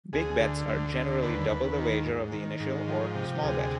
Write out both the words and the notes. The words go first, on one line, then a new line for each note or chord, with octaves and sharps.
Big bets are generally double the wager of the initial or "small bet".
D2 G#4
D3
D2
D3
D#2 B4
D#2
D#3
G#2
D#3
G#2
F3
C3
D2 G#4